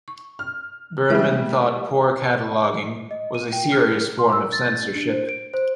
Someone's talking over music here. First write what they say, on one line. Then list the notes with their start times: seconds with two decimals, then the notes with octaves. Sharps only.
Berman thought poor cataloging was a serious form of censorship.
0.08 C#6
0.39 F6
1.10 E3 G3 G#3 E5
1.29 A#3
3.11 D#5
3.35 D#7
3.53 G5
3.72 F6
4.19 C6
4.32 E6
4.52 A6
4.95 D4
5.09 C5
5.29 D7
5.54 C5